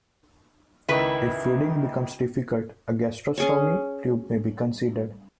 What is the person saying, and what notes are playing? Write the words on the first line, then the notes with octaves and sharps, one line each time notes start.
If feeding becomes difficult, a gastrostomy tube may be considered.
C#2 D#3 E4 B4
C#4 G#4 C#5